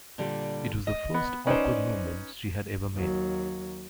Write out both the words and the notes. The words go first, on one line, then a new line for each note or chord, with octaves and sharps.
It was the first awkward movement she had ever made.
A#2 D3 G3
D#5
B3
C#4 D#4 B4 C5 D5
D#2 F#3